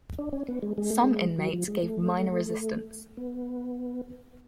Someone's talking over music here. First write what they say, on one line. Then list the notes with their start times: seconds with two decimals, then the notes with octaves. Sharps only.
Some inmates gave minor resistance.
0.19 D4
0.33 C#4
0.49 B3
0.62 G#3
0.78 G#3
0.90 A3
1.03 G#3
1.38 F#3
1.53 F3
1.68 G#3
1.83 A3
3.17 B3